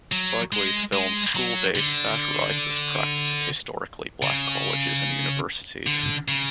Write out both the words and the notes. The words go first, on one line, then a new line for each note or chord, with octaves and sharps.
Spike Lee's film "School Daze" satirized this practice at historically black colleges and universities.
F#3
G#3
G#3
F#3
D3
C#3
D3
C#3